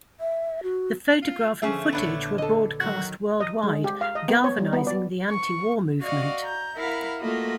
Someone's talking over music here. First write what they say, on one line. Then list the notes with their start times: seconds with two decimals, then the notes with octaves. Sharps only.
The photograph and footage were broadcast worldwide, galvanizing the anti-war movement.
0.20 E5
0.63 F#4
1.22 F4
1.62 D3 F3 A3 C#4 G#4 E5
1.93 A#1 D3 B3 D4 C#5
2.38 A4 D#5
2.80 D#3 F#3 F#4
3.40 D#5
3.63 G#3
3.84 G4
4.01 F5
4.15 D#5
4.28 B3
4.44 C#5
4.58 G3
4.73 B3
4.87 D5
5.30 C#6
6.02 F#4 D5 D#5 F5
6.42 A#5 G6
6.77 E4 A#4 F5 F#5 B5
7.19 A3 A#3 F4 F#4 D#5